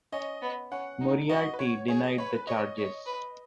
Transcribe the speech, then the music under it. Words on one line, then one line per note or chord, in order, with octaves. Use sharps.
Moriarty denied the charges.
C#4 D#5
B3
C#4 F#5
D#4
F#4 D#5
B4
F#4 C#5
G#4 C#5
D#5
B4 C#5
B4
C#5 D#5
C#5
B4